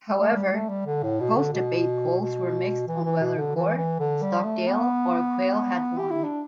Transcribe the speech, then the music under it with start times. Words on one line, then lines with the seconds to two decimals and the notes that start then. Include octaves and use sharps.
However, post-debate polls were mixed on whether Gore, Stockdale or Quayle had won.
0.19 A3
0.35 G3
0.52 A3
0.69 G3
0.86 D3
1.03 A2
1.20 B2
1.36 D3
1.53 B2
2.20 B2
2.88 E3
3.05 E3
3.22 B2
3.38 D3
3.55 E3
3.77 E3
3.99 D3
4.22 G3
4.45 A3
4.67 B3
5.98 G4
6.11 E4
6.24 D4